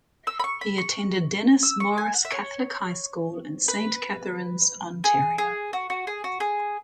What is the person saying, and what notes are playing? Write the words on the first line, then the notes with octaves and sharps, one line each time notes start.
He attended Denis Morris Catholic High School in Saint Catharines, Ontario.
E6
B5
C#6
B5
C#6
E6
C#6
G#5
F#5
E5
C#5
B4
G#4
G#4
F#4
F#4
G#4
F#4
G#4